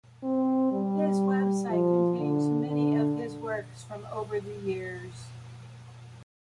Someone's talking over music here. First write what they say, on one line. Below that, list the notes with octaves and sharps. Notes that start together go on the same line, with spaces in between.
His website contains many of his works from over the years.
C4
G3
F3
D3
D3